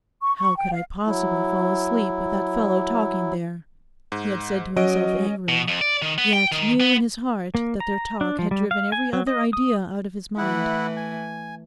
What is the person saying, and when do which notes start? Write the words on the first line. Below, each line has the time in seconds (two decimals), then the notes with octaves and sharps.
'How could I possibly fall asleep with that fellow talking there?' he had said to himself angrily; yet knew in his heart that their talk had driven every other idea out of his mind.
0.22 C#6
0.38 C#6
0.57 G5
0.72 F5
1.06 F#3 E4
4.12 G#2
4.76 F#3 C#4 D#5 D7
5.49 B2
5.68 F2
5.81 D5
6.02 D#3
6.18 B3
6.33 G5
6.52 D#3
6.81 B3
7.55 A#3
7.80 A#5
8.21 D4
8.39 F3
8.51 G3
8.71 F5
8.92 G#5
9.13 F#3
9.27 D#5
9.53 D#6
10.38 E3 A3 E4 F#5
10.96 G#5